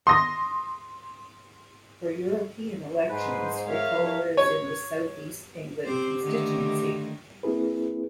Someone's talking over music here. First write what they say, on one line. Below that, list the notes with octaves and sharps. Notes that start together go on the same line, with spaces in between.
For European elections Reculver is in the South East England constituency.
C6 D#6 A#6
G#2 B4 C5 G#5
G#3 A#4 C#5 E5 F5
F3
C#5
C4 G4 C5
D3 D#3 A3
A#3 C4 E4 G#4 B4